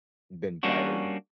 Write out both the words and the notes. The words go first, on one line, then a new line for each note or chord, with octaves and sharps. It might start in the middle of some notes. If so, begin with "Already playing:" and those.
been guided.
G3 A#3 C#4 D4 F#4